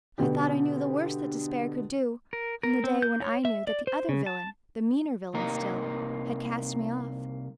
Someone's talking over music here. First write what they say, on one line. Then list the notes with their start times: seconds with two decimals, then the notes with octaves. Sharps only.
I thought I knew the worst that despair could do on the day when I knew that the other villain, the meaner villain still, had cast me off.
0.18 B2 D3 B3 D4 G4
2.33 A#4
2.63 A#4
2.84 C4
3.02 G6
3.22 C#5
3.45 E5
3.67 D5
3.87 C5
4.09 C#3
4.26 A5
5.34 C2 A#3 D#4 A#4